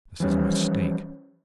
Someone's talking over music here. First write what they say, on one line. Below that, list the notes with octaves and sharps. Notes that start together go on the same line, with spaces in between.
This is a mistake.
E3 F3 G3 C#4